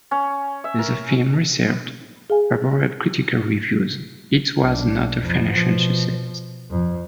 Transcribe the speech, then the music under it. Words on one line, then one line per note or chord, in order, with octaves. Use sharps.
The film received favorable critical reviews, it was not a financial success.
C#4
E5
A#4
G#4 F5 G#5
B1 D4
F2
B2 F3
F2